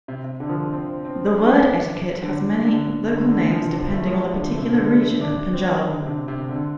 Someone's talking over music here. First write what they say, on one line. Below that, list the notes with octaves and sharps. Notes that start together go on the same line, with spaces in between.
The word etiquette has many local names depending on the particular region of Punjab.
C3
C3
D3
F3
D3
C4
C4
D4
D3
D3
D3
D3
F3
C3
D3
A3
F3
G3
D3
C3
D3
G3
D4
C4
D3
D3
C3
C3
D3